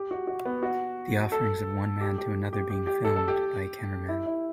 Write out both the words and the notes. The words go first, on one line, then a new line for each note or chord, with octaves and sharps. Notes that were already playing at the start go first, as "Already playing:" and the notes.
The offerings of one man to another being filmed by a cameraman.
Already playing: G4
F#4
F#4
B3
F#4
A4
G4
G4
G4
G4
G4
A4
A4
G4
E4
E4